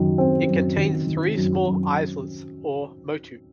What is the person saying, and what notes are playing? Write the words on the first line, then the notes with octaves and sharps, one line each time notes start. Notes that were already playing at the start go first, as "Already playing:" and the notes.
It contains three small islets or "motu".
Already playing: F#2 D#3
C4
F#2
D#3
D#3
F#2
F#2